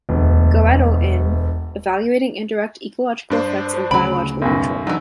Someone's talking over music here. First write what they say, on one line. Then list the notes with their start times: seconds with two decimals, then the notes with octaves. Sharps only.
Goettel in "Evaluating Indirect Ecological Effects of Biological Control".
0.09 E1 D2
3.30 G2 D4 C5
3.91 D2 C#3 F#3 B5 D7
4.42 B1 F#2
4.87 E3 F#3 D4 D#4